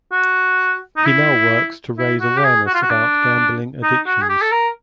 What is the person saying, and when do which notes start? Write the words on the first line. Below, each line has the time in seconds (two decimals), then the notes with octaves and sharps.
He now works to raise awareness about gambling addictions.
0.12 F#4
0.97 D#4
1.05 E4
1.98 E4
2.20 F#4
2.38 G4
2.44 G#4
2.67 F#4
2.74 F4
2.82 F#4
2.90 D4
3.83 D#4
4.06 F#4
4.22 G#4
4.29 G4
4.41 A4
4.52 A#4